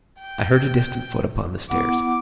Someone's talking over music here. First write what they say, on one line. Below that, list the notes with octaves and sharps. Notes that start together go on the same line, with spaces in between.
I heard a distant foot upon the stairs.
G5
B3 E4 F#5 D6